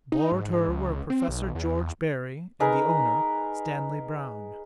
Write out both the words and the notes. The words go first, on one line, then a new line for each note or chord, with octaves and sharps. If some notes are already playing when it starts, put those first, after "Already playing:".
Aboard her were a Professor George Berry and the owner, Stanley Browne.
D#4
G#2
C#2
C4
B1
E2
D#4 G#4 A#4 B4